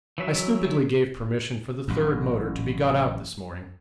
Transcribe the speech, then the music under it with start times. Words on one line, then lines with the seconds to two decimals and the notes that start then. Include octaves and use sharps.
I stupidly gave permission for the third motor to be got out this morning.
0.18 E3 F#3 E5
1.88 A1 F#2